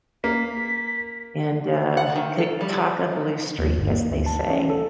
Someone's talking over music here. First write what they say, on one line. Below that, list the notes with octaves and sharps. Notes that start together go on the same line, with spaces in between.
and, uh, could talk a blue streak, as they say,
A#3 B6
F#5
D#3
A4
G3
D#2
G1
A#3
D2
A5
C#4
A4